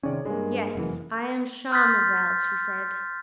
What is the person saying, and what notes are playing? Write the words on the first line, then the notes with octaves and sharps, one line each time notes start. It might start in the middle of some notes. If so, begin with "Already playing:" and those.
"Yes, I am 'Charmazel,'" she said.
C3 D#3 C#4 G#4 C#5 D5
G2 G#3 A#3
F1 F#2 E3
C6 F6 G6 A6 B6